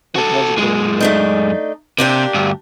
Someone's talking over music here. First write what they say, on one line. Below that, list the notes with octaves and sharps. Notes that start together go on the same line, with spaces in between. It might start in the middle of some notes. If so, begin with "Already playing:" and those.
It was growing late.
F#4 A4
F#2 G#3
A3 D4 D#4
C3 A#3 D4 G4
D2 G2